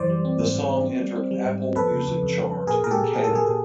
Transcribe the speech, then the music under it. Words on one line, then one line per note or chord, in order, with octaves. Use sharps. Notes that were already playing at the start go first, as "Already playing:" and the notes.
The song entered Apple Music chart in Canada.
Already playing: F#2 E3 C5 D5
G3
C4
G#2
G#2
C4
C4
G3
C4
G3
G#2
C4
F2 A4 B4
C#3
F2
F2
F2
F2
A#2 G#4 A#4
A#2 A#4
G4 A4
A#2
A#2 G#4
A4
A#2
G#4
A#2 A4